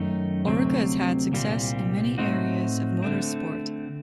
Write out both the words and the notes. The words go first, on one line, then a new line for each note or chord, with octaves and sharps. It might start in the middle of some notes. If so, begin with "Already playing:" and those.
Oreca has had success in many areas of motorsport.
Already playing: F#2 D#3 A3 D#4
D2 C3 F#3 C4
C2 A#2 G3 C4
A2 A3 C4 D#4 F#4
D3 A3 C4